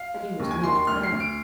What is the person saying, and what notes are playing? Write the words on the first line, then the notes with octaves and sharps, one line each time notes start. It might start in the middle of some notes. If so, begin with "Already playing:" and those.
He was not there.
Already playing: F5
G#3
D#2
G#5
D#3 C6
C6
D2 F6
C7
D2
D7